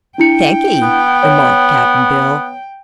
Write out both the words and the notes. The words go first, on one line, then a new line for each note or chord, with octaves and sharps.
"Thank'e," remarked Cap'n Bill.
D4 E4 G5 C#7
B3
C#5